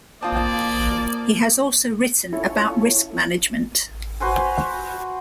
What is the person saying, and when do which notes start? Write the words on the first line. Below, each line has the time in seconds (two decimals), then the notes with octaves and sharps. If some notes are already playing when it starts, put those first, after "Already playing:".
He has also written about risk management.
0.22 A#3 C4 F4 D5 A5 D#6
2.33 C#4 E4 F4 A4 C#5
4.20 F#4 B4 C5 G#5